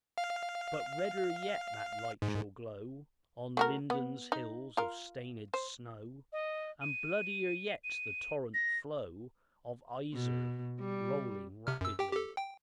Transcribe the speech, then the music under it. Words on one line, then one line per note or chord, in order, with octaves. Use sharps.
But redder yet that light shall glow On Linden's hills of stained snow; And bloodier yet the torrent flow Of Iser, rolling rapidly.
F5
G#2
A3 F#4 A#4
B3
D#4
F4 A#4
C5
D#5
D#7
D#7
A#6
B2
G3
C3 F6
F#2 E6
G4 G5
G4 A4
G5